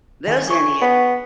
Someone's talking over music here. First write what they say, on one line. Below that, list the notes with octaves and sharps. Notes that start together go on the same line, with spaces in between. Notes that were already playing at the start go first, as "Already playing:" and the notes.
there's any o
D#3 G#4
G#4 C#5
B3